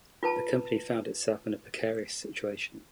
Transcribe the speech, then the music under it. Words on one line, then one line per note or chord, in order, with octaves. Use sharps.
The company found itself in a precarious situation.
F4 B4 A5